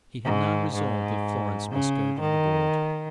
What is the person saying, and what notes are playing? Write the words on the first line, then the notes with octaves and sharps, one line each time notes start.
He had now resolved that Florence must go by the board.
G#2
G#2
C#3
D#3